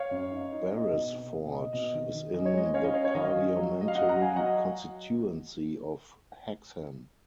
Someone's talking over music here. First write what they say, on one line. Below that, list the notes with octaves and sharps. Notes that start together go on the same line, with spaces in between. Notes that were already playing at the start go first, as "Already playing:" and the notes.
Barrasford is in the parliamentary constituency of Hexham.
Already playing: C#5 F5
F#2
D#4
D#4
D#4 D#5
B2
D#4
B2
D#4 D#5
B2 D#5
D#3
D#3
C#4 D#5
C#5
G#3 D#5
C#4 C#5 F5
D#5
C#4 C#5 F5
C#5
D#3 D#5
F5
D#5
C#4
F#3
F#3
D#5
F5
F#3 D#5 F#5
F#5 A#5
F#3
F5 G#5
F#3 D#5 F#5
D#5